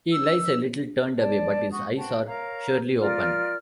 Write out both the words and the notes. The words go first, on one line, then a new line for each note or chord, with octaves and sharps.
He lies a little turned away, but his eyes are surely open.
E6
D5 A5
F#4 C#6 D#6
F#4 C5 G5 A5
A#4 C#5 F5 A#5
F4 A#4 D5 F6